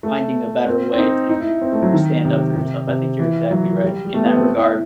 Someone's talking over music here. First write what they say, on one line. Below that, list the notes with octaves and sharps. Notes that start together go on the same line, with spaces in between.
finding a better way to stand up for yourself, I think you're exactly right in that regard.
A3
C4
C4
D#4
D#4
E4
C4
A3
F#3
D#3
C3
C3
C3
E3
F#3
G3
G3
A3
B3
C4
E4
E4